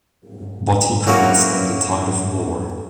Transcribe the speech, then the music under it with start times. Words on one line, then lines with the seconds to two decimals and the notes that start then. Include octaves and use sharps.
But he could not stem the tide of war.
1.07 F#3 A#3 C4 C#4 E4 F#4